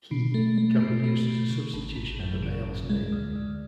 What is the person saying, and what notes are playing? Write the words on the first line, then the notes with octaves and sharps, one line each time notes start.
"He" can be used as a substitution of a male's name.
B2
A3
A3
B2
A3
B2
C#3
G#1
G#1
F#2
C#3
G#1
G#3
D2
D2